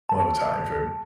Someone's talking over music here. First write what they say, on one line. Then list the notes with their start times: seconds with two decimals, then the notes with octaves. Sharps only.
I love Italian food.
0.09 A5